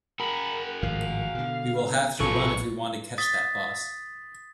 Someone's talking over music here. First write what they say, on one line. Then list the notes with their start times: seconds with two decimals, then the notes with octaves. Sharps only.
We will have to run if we want to catch that bus.
0.20 F#4 G#4 A#4 B5
0.83 G#1 A2 F3 F5
1.35 B2 D3
2.20 A#1 A2 F#3 F4 G#4 A4 B4 C#6
3.18 D#6 A6 B6